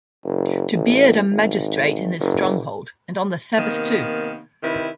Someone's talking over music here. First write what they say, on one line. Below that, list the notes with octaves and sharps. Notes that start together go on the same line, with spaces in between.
To beard a magistrate in his stronghold, and on the Sabbath, too!
F#1
A1
G#1
F#1
C3 D#3 A#3 B3
C3 D#3 E4 B4